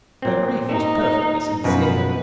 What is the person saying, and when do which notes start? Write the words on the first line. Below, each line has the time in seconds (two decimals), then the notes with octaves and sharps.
Her grief was perfectly sincere.
0.22 A#2 C4
0.69 D#4
1.64 F#2 B2 F3 B4